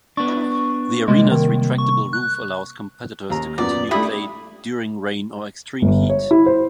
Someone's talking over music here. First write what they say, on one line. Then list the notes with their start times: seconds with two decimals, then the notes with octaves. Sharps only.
The arena's retractable roof allows competitors to continue play during rain or extreme heat.
0.17 B3 D4 C#6
1.08 C3 G3 G#3 A#3
1.31 D#3
1.78 C#6
2.13 F#6
3.30 D#2 A#5
3.58 F#2 A#2 B3 D5
3.91 A3 D4 E4 G4 B5 D#6
5.82 G1
6.09 C#5
6.31 E4
6.46 C5